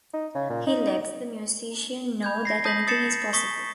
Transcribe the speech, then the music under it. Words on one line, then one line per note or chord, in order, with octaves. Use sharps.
He lets the musician know that anything is possible...
D#4
C#3
A#2
D#4
B5 G6 G#6
A#6 C7
A5 D#6 G6 A#6 B6 F#7
D#6 A6 C#7 E7
C#6 D#6 B6